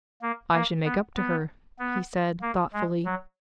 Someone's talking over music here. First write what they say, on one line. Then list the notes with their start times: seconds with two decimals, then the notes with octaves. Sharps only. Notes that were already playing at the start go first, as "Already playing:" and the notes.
"I should make up to her," he said thoughtfully.
0.22 A#3
0.53 A#3
0.85 B3
1.16 B3
1.79 B3
2.42 A#3
2.73 G#3
3.05 F#3